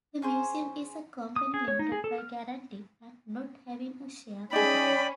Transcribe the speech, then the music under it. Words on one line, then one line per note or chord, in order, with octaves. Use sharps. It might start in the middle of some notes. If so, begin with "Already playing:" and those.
The Museum is a company limited by guarantee and not having a share capital.
C#4 G#4 C5
D#6
G#4
C#5
D#4
G#4
A4
F6
C#4 D#4 G#4 D5 G5 B5